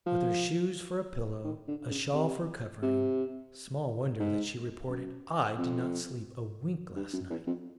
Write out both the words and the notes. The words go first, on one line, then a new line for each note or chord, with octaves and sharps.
With her shoes for a pillow, a shawl for covering, small wonder that she reported, "I did not sleep a wink last night."
F3
D#3
D3
C#3
C3
C3
G#2
F#2
F2
G2
F#2
E2
F2